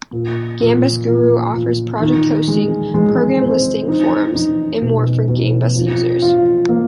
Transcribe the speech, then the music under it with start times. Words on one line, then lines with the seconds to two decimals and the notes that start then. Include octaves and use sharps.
Gambas Guru offers project hosting, program listing, forums and more for Gambas users.
0.13 A#2
0.60 A#2
1.07 A#2
1.54 A#2
2.00 D#3
2.48 G#3
2.94 G#3
3.41 C4
3.88 D#4
4.35 D#4
4.82 B2
5.28 B2
5.76 F3
6.22 F4
6.69 A#3